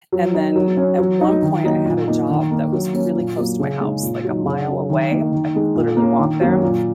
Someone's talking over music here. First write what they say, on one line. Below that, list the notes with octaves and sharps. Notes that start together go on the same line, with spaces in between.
and then, at one point, I had a job that was really close to my house, like, a mile away- I could literally walk there-
F#3
D#4
F#3
C#4
F#3
D#4
D#3
F#3 A#3 D#4
A#2
A#3 D#4
D#3
A#3 D#4
F#3
A#3 C#4
A#2
F#3 A#3
C#3
G#3 D#4
A#2
F#3 D#4
C#3
F#3 C#4
D#3
A#3 D#4
D#3
G#3 D#4
A#2
A#3
C#4
D#3
F#3 A#3 C#4
A#2